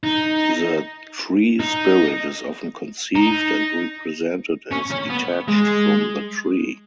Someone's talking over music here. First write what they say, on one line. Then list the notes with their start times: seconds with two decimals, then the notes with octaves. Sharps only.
The tree-spirit is often conceived and represented as detached from the tree.
0.03 D#4
1.60 D#4
3.15 D#4
4.71 C#4
4.91 C#4
5.10 B3
5.48 G#3